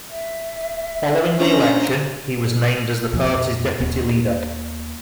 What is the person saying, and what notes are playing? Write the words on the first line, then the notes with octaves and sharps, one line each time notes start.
Following the election, he was named as the party's Deputy Leader.
E5
C#4 D4 C5 A#5
F2 B2
D#2 B3